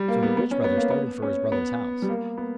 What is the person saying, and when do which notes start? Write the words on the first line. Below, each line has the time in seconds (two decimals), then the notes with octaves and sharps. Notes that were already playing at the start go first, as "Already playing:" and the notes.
So the Rich Brother started for his brother's house.
Already playing: G3
0.08 A#3
0.23 B3
0.37 B3
0.51 C#4
0.64 B3
0.77 A#3
0.90 B3
1.22 C#4
1.52 B3
2.02 G3
2.09 A#3
2.38 B3